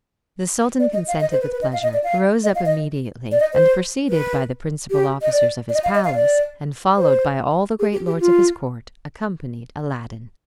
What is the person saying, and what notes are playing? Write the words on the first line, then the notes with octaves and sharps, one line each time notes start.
The sultan consented with pleasure, rose up immediately, and, preceded by the principal officers of his palace, and followed by all the great lords of his court, accompanied Aladdin.
D5
D#5
F5
D#5
C5
B4
B4
D#5
F5
D#5
D5
F5
D#5
F5
D#5
D5
D#5
C5
B4
G4
D#5
D5
D5
D#5
F5
D#5
F5
D5
C5
G#4
G4
G4
F4